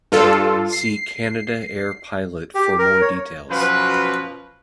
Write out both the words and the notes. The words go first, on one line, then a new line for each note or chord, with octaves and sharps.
See Canada Air Pilot for more details.
G2 F4 A4
C7
G4
A#4
C#5
F#2 B2 F3 B4